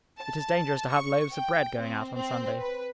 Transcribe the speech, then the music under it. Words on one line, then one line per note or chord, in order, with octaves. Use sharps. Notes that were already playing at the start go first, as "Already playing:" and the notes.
It is dangerous to have loaves of bread going out on Sunday.
A5
C#6
G5
C4
C4
B4